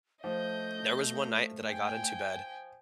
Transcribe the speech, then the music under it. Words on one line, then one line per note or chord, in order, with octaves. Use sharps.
There was one night that I got into bed,
F3 A3 D#5 G6
G5 G#5